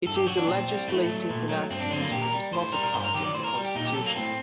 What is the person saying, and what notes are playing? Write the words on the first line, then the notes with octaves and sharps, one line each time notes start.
It is a legislative enactment but is not a part of the Constitution.
G2 A4
G4
F#3 F#4
D4
A#2 C4
G3
A2 A3
F#3
A#2
F#3
G2 C4
D4
D3 F#3 C4
A#3
A#2 G4
A#4
G3
A2 C5
G3 A#4
A#4
G2 C5
A#4
D#3 F#3 G4
D5
A2 C5
A#4
G3
G4
A#2 D#4
G4
F#3 A4
A#3
A2 C4